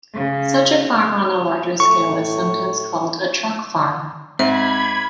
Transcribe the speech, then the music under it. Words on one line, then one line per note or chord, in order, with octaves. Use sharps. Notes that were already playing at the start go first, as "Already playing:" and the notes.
Such a farm on a larger scale is sometimes called a truck farm.
C#3
A2 C#6
G#2 C4 E5 B5 G#6